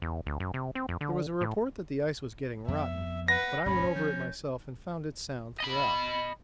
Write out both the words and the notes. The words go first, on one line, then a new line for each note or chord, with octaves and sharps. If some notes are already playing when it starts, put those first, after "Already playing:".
There was a report that the ice was getting rotten, but I went over it myself and found it sound throughout.
E2
D2
F#2
C3
C4
F2
D3
A2
F2 B3 E5
B4 F#5 A#6
G#1 D#2 B2 C#4 B5
F3 G6
D#5 B5